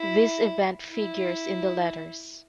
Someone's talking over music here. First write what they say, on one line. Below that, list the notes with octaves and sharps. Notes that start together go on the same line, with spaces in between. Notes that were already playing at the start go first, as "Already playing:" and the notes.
This event figures in the letters.
Already playing: E4
E4